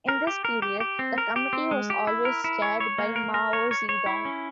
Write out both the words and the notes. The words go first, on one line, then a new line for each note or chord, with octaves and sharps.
In this period, the Committee was always chaired by Mao Zedong.
A#4
G4
A#4
G4
G4
C4
A#4
G4
C4
G#3
G4
E4
A#4
E4
C#5
C#5
A#3
A#4
A#4
C#5
C#5
C#5
E4
C#4